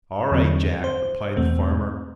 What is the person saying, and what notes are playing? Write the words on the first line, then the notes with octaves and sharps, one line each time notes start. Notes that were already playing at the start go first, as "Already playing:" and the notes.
"All right, Jack," replied the farmer.
E2 D3 F#3 C4
C5
E2 B2 A3 C4